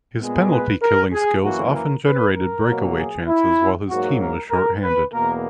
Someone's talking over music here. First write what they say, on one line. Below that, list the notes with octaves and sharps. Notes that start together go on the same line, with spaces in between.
His penalty-killing skills often generated breakaway chances while his team was shorthanded.
A#2 G#3 B3
B4
A#4
G#4
F#2 E3 A#3 F#4
A#4
B4
A#4
B2 F#3 A#3
G#4
E4
G#2 F#3 A#3 F#4
A#4
A#4
B4
E2 B2 A#3 A#4